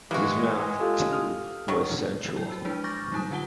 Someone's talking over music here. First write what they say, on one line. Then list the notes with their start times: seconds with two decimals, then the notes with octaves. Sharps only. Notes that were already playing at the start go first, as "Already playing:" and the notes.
His mouth, too, was sensual.
0.11 E3 G#3 A#3 F#4 G4 A#4
0.80 F4 G4 A4
1.13 D#6 F6
1.68 D#3 F#3
2.36 F#3 E4 G5
2.50 F#4 C5 E6
2.64 F3 G#3 D4 E4 G#4 B4
2.84 C#6 D6 F6 G6 A6 A#6
3.12 F#3 G3 D#4 A5 D#6
3.31 D3 C#4 F4 F#5 A5 G7